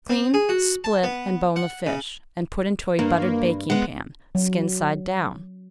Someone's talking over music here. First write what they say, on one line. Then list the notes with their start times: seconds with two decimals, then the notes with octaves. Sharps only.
Clean, split, and bone the fish, and put into a buttered baking-pan, skin-side down.
0.09 C4
0.34 G#4
0.49 F#4
0.84 A5
1.03 B3
1.56 F#5
1.86 C#3
2.99 G2 A#3
3.70 G#3 B3 F#5
4.35 F#3